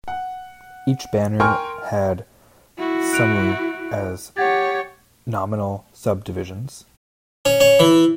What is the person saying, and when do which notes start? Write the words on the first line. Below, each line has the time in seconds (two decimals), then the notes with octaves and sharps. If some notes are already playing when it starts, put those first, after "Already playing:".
Each banner had sumu as nominal subdivisions.
0.08 F#5
1.40 A#4 G5 G#5 C6 C#6 F6
2.78 E4 F#4
3.13 F#6 D7 F7
4.37 G4 C#5 F#5 G#6 A6
7.45 C#4
7.60 C#4
7.79 E3